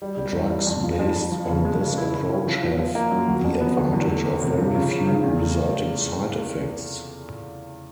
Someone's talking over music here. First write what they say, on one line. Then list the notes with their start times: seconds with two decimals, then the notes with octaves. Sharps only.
Drugs based on this approach have the advantage of very few resulting side effects.
0.02 G3
0.18 G3
0.35 E2
0.51 G3
0.66 F2
0.83 F3
0.99 F2
1.16 F2
1.32 F3
1.49 C#3
1.65 G#3
1.81 C#3
1.98 E4
2.14 E4
2.30 C#4
2.46 F3
2.63 F3
2.79 F3
2.95 A#3
3.11 F#2
3.28 F#3
3.44 F2
3.61 B3
3.77 D3
3.93 E2
4.10 A3
4.26 A3
4.41 C3
4.58 F3
4.75 C#3
4.91 C#3
5.07 C#3
5.23 E2
5.40 A3